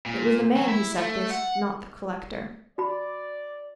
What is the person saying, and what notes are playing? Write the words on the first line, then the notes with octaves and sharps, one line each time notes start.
It was the man who said this, not the collector.
A#2
F#3
E4
A3
F#5
F#4 D5 B5